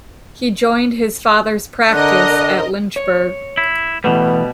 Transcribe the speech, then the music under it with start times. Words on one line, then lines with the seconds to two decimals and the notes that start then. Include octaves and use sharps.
He joined his father's practice at Lynchburg.
1.92 D3 A#4 D#5 F#6
2.96 C#5
3.57 E4
4.04 B2 E3 G3 A3 B3